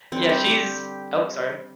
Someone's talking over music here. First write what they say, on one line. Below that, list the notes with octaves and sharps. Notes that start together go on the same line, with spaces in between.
Yeah, she's ope, sorry.
D3 G3 C4
G4
G4